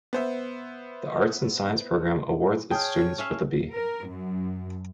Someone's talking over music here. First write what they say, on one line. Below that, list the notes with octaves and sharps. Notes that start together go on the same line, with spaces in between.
The Arts and Science Program awards its students with a B.
B3 C5 E5
G#4 C#5 G5 A5 F6
C#4 E5 F5
A#4
F#2